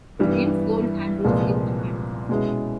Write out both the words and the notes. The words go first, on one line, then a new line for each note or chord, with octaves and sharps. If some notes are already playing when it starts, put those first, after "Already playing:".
James Gold Andrews in command.
G2 E3 G3 B3
C2 A#2 F3 G#3 B3
B2 G#3 C#4 E4